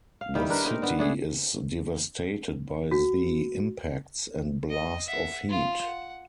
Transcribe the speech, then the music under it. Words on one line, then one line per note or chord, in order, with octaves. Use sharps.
The city is devastated by the impacts and blast of heat.
F5
D#3 G3 E4
D4 A#4 B4
C4 D#4 A#4
D3 B3
A3 D4 G#4
F#4
D#5
E5 F#5
F4
F#5